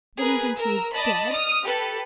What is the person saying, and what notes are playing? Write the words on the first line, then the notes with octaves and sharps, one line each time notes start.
"Then you think he's--dead?"
G#4 A#4 B4 G#5
A#4 E6
D5 D#5 A5 B5
D#6 F6
G4 A4 B4